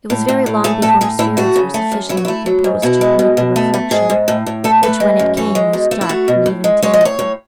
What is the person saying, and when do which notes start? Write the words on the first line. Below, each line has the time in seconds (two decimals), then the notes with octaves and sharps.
It was very long, before her spirits were sufficiently composed to permit the reflection, which, when it came, was dark and even terrible.
0.10 A2
0.28 A2
0.46 A2
0.64 A3 G#4
0.82 A2 A4
1.01 A2 G#4
1.19 A2 E4
1.37 A3 F#4
1.56 C#3
1.74 A3
1.92 F#2
2.09 F#3 E4
2.17 F#4
2.25 A3 E4
2.46 F#3
2.64 G#2
2.82 B2 E4
3.01 G#3
3.19 B2
3.37 B2
3.56 A3
3.74 A3
3.91 G#2 G#4
4.10 G#2
4.28 A2
4.47 A2
4.64 A3 A4
4.83 A3 B4
5.00 G#3
5.19 F#2
5.37 E3 C#5
5.55 G#3
5.73 B2
5.91 A3
6.01 E4
6.09 A3 F#4
6.28 B2
6.46 A2
6.64 G#3
6.82 G#3 C#5
6.94 D#5
7.01 A2 C#5
7.19 A2